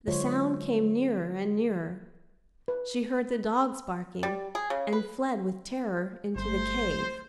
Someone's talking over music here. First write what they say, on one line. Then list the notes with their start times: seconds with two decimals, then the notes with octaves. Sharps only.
The sound came nearer and nearer; she heard the dogs barking, and fled with terror into the cave.
0.07 D3 F#3 G#3 F4 C5 C#5
2.68 B4
4.23 G3
4.55 G#4
4.70 C#3
4.93 B4
6.36 G1 G3 A3 C5